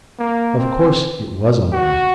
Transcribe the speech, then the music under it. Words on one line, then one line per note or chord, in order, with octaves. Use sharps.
Of course it was all right.
A#3
C4
F#4